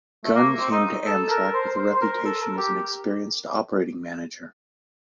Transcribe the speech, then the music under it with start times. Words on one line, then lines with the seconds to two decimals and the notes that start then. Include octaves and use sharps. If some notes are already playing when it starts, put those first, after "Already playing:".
Gunn came to Amtrak with a reputation as an experienced operating manager.
0.24 A3
0.35 A#3
0.59 C4
0.71 D#4
1.06 A4
1.30 A#4
1.54 C5
1.78 C5
1.95 C5
2.01 A#4
2.25 A4
2.42 A#4
2.58 G4